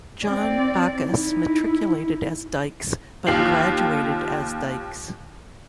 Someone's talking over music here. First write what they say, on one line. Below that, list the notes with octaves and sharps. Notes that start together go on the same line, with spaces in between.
John Bacchus matriculated as Dikes but graduated as Dykes.
C4 D5
D#4 E4
D#2 F4 G4 C7 F#7